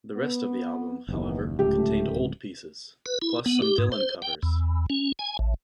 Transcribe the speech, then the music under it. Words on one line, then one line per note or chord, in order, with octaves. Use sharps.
The rest of the album, however, contained old pieces, plus some Dylan covers.
B3
F#1 D#2 D#3 E3 B3
D1 C#2 A3 G4
B4
E4
B3
G4
G#2
C5
G5
E2
C#4
G#5
A1